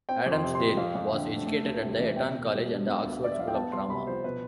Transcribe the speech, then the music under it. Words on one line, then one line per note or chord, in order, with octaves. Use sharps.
Adamsdale was educated at Eton College and the Oxford School of Drama.
C4 G5
F2
C6
C3
C6
F3
F2 F5
F2
D3
A3
A3
D2
C3
E3
B2 G5
B2
G3
D4
B3
D2
D3 D5
E5
F3 F5
G5
B3 A5
C2 C6
C3 B5
F3 C5
B2 B4